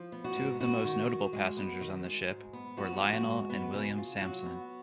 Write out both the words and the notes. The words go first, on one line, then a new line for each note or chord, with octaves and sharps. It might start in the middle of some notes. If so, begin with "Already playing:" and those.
Two of the most notable passengers on the ship were Lionel and William Samson.
Already playing: F3
B3
F#4
G#2
B3 F#4
D#3
D#3
G#3
B3
D#3
G#3
G#2
B3
F3 F#4
G#3
F#4
G#2
B3
C#3
F4
F#3 F#4
B3